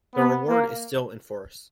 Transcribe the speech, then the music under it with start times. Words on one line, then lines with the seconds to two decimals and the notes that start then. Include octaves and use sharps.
The reward is still in force.
0.15 B3
0.48 A#3